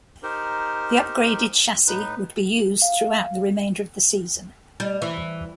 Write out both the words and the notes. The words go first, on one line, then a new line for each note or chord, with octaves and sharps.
The upgraded chassis would be used throughout the remainder of the season.
D#4 G4 A#4 C5
A2 D#4 B4
F5
G3
E3